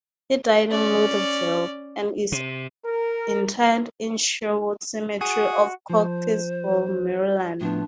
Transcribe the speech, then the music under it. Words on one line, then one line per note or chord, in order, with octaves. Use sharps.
He died in Lutherville, and is interred in Sherwood Cemetery of Cockeysville, Maryland.
C#4 D5
C3
A#4
F#4 G#4
F3 C5
A2 F3 B3 D4